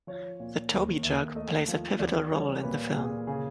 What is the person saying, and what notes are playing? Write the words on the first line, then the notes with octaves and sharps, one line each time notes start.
The Toby Jug plays a pivotal role in the film.
F3 C#5
A#2
D#2
D#2 E5
A3 D#5
F3
E2 D5
G3 C#5
A#2 B4
A#2 G#4
C#3 G#4